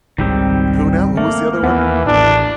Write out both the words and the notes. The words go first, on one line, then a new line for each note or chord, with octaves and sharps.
And who now? Who was the other one?
G#1 C#2 D#3 G3 C4
A3 A#3
D#2 E3 B3
A1 A2 D4